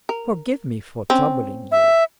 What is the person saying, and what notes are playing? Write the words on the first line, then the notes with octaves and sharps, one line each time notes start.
"Forgive me for troubling you..."
A#4
C4 C#4
E5